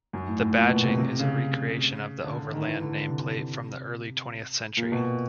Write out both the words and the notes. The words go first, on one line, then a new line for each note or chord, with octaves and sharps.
The badging is a recreation of the Overland nameplate from the early twentieth century.
F#2
A2
A2
A#2
B2
C3
C3
C#3
D3
D3
D#3
E3
D3
D3
C3
A#2
B2